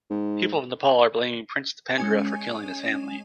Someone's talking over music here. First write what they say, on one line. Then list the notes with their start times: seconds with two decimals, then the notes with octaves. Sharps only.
People of Nepal are blaming Prince Deependra for killing his family.
0.10 G#2
1.98 G#3 C#4 G#5